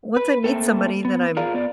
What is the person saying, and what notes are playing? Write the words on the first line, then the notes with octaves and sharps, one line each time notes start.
once I meet somebody, then I'm
B4
A3 A#3 C4 A4
B3
F4 G#4 A#4 D5 F5
B3 D5